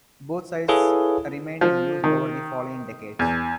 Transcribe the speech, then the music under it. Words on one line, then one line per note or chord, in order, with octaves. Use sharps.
Both sites remained in use over the following decades.
E4 G#4 A4 B4 C#5 F5
F3
D#3
E2